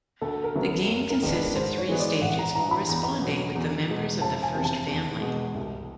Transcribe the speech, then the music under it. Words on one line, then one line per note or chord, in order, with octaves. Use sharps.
The game consists of three stages corresponding with the members of the First Family.
D2 A4
A#4
C#3 F#3 B3 E4
A#4
F#2
A#4
D#3 G#3 B3 D4
B4
G#2 C5
C#5
E3 G#3 B3
D5
A1 F#5
A#5
G2 E3 A#5
B5
E2 A#5
B2 F#3
E2
B2 G#3
F1 A5
G#5
E2 C3
A5
E2
B2 G#3
C2